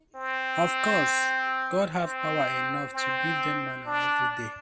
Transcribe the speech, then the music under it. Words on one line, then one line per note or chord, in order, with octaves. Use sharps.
Of course, God had power enough to give them manna every day.
C4
C4
C4
D4